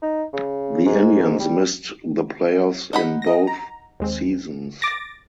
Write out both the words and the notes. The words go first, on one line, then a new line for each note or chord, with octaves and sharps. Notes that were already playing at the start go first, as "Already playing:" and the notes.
The Indians missed the playoffs in both seasons.
D#4
C#3
G#2
G3
D#4 F#5 B5
D#5 A#6
A#5
D#2 G#3 C4
D6 A6 A#6